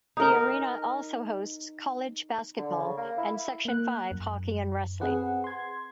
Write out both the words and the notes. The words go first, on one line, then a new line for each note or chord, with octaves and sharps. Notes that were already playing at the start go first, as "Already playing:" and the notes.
The arena also hosts college basketball, and Section Five hockey and wrestling.
D#4 A#4
D3
C#3
A#3
E4
A#3 F#6
F#2
C4 G#4 B4 F#5
C6 G#6